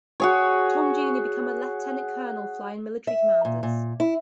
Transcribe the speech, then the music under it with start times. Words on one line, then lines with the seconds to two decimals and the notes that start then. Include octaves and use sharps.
Tom Junior became a Lieutenant Colonel flying military commanders.
0.20 F#4 G#4 C#5
3.07 E5
3.45 A#2
3.63 A#2
4.00 E4